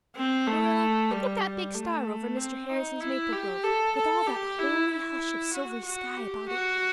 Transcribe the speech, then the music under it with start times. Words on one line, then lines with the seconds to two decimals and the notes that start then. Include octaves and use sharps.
Marilla, look at that big star over Mr. Harrison's maple grove, with all that holy hush of silvery sky about it.
0.15 C4
0.48 A3
1.11 G3
1.42 G3
1.74 A3
2.37 C4
2.69 D#4
3.00 E4
3.33 G4
3.64 A4
3.95 A4
4.26 G4
4.59 E4
4.91 E4
5.53 F#4
5.85 F#4
6.17 G4
6.49 F#4